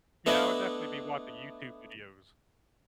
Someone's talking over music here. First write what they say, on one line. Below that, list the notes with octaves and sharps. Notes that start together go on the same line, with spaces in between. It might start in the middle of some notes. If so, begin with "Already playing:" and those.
Yeah, I would definitely be watching YouTube videos.
A3 B3 D4 E4 D#5